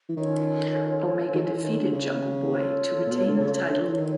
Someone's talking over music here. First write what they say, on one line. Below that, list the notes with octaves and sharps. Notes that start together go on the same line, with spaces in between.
Omega defeated Jungle Boy to retain the title.
E3
D#3 C#4 F4 A4 C#5
D#3
F3
E3
D#3
D3
C#3
F4 A4 C#5
A#2
B2
D3
C#3
D3
F3
E3
D#3